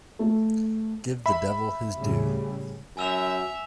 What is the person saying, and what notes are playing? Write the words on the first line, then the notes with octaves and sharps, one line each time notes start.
Give the devil his due.
A3
E5 B5
A2 C#3 G3
F#2 E5 G#5 E6 F7